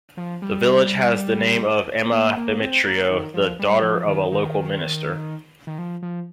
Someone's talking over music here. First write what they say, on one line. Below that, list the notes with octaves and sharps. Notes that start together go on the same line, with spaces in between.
The village has the name of Emma Bemetrio, the daughter of a local minister.
F3
G3
A#3
A#3
C4
A#3
D#3
F3
G3
F3
D#3
D#3
D#3
F3
F3